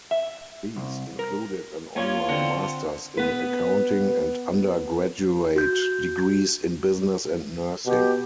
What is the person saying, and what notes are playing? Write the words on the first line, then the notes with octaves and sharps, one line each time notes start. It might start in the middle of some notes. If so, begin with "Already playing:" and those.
These included an online masters in accounting and undergraduate degrees in business and nursing.
E5
C2
A#4
A#3 F4 C#5 D5 F5
D3 C4 F#5
B3 B4
F#4 G6
B2 G4